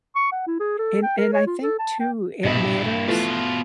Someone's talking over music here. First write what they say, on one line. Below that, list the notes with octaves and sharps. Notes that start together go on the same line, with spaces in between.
And and I think too, it matters
C#6
F#5
E4
G#4
A4
G5
A#4
C#5
F4
A4
A5
G5
A#1 G2 B2 E4 D#5
B2 E3 F3 A3 F4